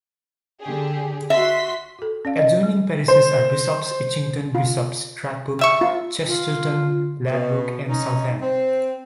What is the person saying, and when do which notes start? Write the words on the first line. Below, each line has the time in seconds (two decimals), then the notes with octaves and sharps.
Adjoining parishes are Bishop's Itchington, Bishop's Tachbrook, Chesterton, Ladbroke and Southam.
0.62 D3 G4 G#4
1.30 F#4 E5 C6 B6
1.99 F#4 A4
2.25 C#4 D5 F5
2.39 D#5
2.63 G3
3.08 C5
4.55 F4
5.59 G3 E5 C#6
5.81 F4
6.28 F4
7.31 B2
7.89 C#4 D#4
8.42 C4